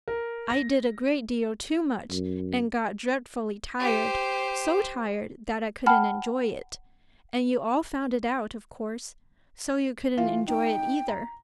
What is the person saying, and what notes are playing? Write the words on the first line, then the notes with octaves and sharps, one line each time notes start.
I did a great deal too much and got dreadfully tired, so tired that I couldn't enjoy it, and you all found it out of course, so you couldn't enjoy it either.
A#4
A#6
F#2
G4 C5
F#5 G5 A5 B5 F6
E3 F4
D#4 G5
A#5